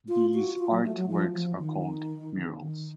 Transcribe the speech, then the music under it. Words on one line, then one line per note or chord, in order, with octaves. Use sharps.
These art works are called "murals".
F4
F#4
F4
F#3
A3
F#3
F3
F3
D#3
D#3